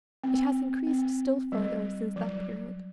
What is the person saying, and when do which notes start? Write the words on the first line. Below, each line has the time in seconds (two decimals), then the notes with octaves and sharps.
It has increased still further since that period.
0.24 C4
0.87 C4
1.52 G3
2.16 F#3